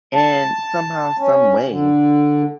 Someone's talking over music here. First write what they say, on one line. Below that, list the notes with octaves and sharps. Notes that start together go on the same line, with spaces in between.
and somehow, some way,
A5
C#4
D3